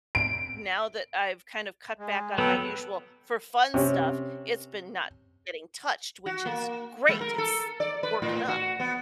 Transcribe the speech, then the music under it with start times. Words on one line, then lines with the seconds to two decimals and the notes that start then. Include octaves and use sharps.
now that I've kind of cut back on my usual for fun stuff, it's been not getting touched, which is great, it's working up,
0.15 D7
1.99 G#3
2.38 F#3 B3 A4 B4 G5
3.74 C3 C#4
6.26 F#4
6.46 A#3
7.09 G#3
7.21 A#4
7.38 A4
7.80 D5
8.03 B4
8.22 A2
8.48 F#4
8.80 B3